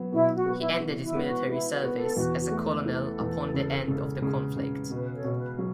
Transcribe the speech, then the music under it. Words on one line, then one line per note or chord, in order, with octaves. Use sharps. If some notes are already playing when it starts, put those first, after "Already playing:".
He ended his military service as a colonel upon the end of the conflict.
Already playing: F#3 B3
B2 E4
F#4
B3
E4
E3
E4
B3
F#4
B3 E4
F#4
B3
A4
E2 F#4
F#4
A3
A4
E3 A4
E2
C#3
C#3
C#3
C#3
B2 B4
A4 C#5
B2
B4
F#3